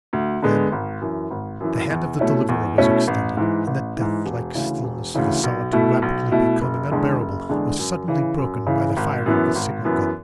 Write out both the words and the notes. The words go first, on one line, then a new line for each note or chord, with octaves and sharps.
Then the hand of the Deliverer was extended, and the death-like stillness of a solitude rapidly becoming unbearable was suddenly broken by the firing of a signal-gun.
D2
D3 G#3 B3
G#1
F#2 E3
G#1
F#2 E3
E2
B2 A3 C#4 E4
E2
B2 A3 C#4 E4
A1
G#2 E3
A1
G#2 E3
E1
D2 C#3 E3
E1
D2 C#3 E3
B1
B2 A3 E4
B1
B2 A3 E4
F#1
E2 D3 G#3 D4
F#1
E2 D3 G#3 D4
F#2
C#3 E3
F#2
C#3 E3
G#1
F#2 E3 B3
G#1
F#2 E3 B3